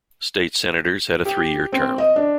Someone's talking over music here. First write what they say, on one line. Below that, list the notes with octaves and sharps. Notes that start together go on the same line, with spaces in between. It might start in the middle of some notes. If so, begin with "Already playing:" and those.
State senators had a three-year term.
G4
C4
D#5
D4